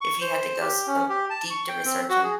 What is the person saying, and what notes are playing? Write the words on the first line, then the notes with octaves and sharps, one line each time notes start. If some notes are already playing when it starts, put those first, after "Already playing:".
if you had to go so deep to research 'em?
C#6
C5
G4
C#4
G4
A5
C#6
G5
C4
F#4
G#4